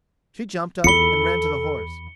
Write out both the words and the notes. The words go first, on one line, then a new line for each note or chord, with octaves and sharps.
She jumped up and ran to the horse.
E2 F4 A4 B5 C#7 G7